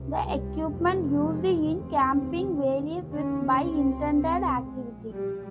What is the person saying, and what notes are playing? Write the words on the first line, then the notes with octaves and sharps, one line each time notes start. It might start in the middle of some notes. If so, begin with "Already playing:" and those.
The equipment used in camping varies with by intended activity.
Already playing: C#2 C3
G3
F1 F2 C3
G#3
F1 D#2 C#3 C4
F1 D#2 C#3
C#4
C#2 C3 C4
C4
A#1 A#2 G#3
G3